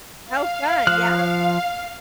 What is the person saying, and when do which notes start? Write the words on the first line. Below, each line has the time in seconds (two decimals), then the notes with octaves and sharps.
How fun, yeah.
0.25 F5
0.87 F3 F6 F#6